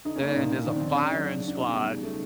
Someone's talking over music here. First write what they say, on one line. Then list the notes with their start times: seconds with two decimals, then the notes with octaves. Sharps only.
and there's a firing squad
0.05 D3 D#4
0.16 C#4
0.20 A#3 D4
0.35 A#2 D#4
0.51 A#2
0.66 D#3 D4
0.76 C4
0.81 D#3
0.87 C#4
0.96 C#3 D4
1.12 F#3
1.27 C#3
1.42 C#3
1.47 D4
1.57 B2 D#4
1.73 G3
1.88 C#3
2.03 A3